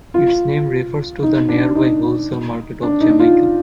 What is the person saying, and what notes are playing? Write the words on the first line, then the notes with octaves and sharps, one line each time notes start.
Its name refers to the nearby wholesale market of Jamaica.
F4
D#4
D4
D#4
D4
D#4
F4